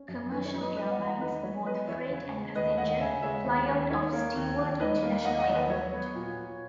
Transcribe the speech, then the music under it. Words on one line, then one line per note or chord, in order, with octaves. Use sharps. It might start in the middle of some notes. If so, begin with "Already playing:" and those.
Commercial airlines, both freight and passenger, fly out of Stewart International Airport.
Already playing: C#4
F#2
D#3 B4
C#5
F#3
B4 D#5
B3 B4 D#5
D#5 F#5
E2
F#5 A#5
D#3 B4 D#5
F#3 C#5
B3 B4 D#5
E2 C#5 E5
C#3
G#3
D#2 B4 D#5
D#2 D#5 F#5
C#3 E5 G#5
G#3 C#5 E5
D#2
D#2
D#3 C#5
A#3
D#2
D#2
D#3 B4 D#5
A#3
D#2 D#5 F#5
D#5 F#5
D#2
B4 D#5
F#3 C#5
B3
A#2
A#2